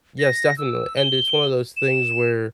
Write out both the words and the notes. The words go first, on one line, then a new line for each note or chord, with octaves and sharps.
Yes, definitely, and it's one of those things where,
A#6
E6
G7
E7